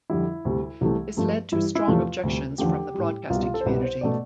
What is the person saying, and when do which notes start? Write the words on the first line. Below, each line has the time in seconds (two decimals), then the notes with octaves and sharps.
This led to strong objections from the broadcasting community.
0.10 F2 D3 G3 E4
0.45 D2 C3 G3
0.81 C2 C3 E3 A3
1.17 G2 F3 A3
1.52 G2 E3 G3 E4
1.75 E4
1.87 E2 C3 F3 A3 F4
2.23 D2 C3 G3
2.58 E2 D3 F3 A3 G4
2.94 A2 G3
3.30 C2 B2 G3 F4
3.42 F4
3.54 A4
3.61 C5
3.66 C2 B2 G3 B4
3.83 C5
4.01 B2 A3 D5